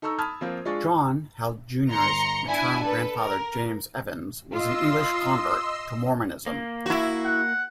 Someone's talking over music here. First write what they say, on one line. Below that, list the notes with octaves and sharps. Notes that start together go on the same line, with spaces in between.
John Held Jr.'s maternal grandfather, James Evans, was an English convert to Mormonism.
D#4 A4 A#5 C#6 E6
A5 B5 D#6 F6 G#6
F3 A#3 C4 F4
G#3 D4 F4 C#6 A6
G1 A#5 C6 C#7
D4 E4 G#5
A4 B4
A#4
F4 D#5 C6 E6
A#3
E4 F#4
F#5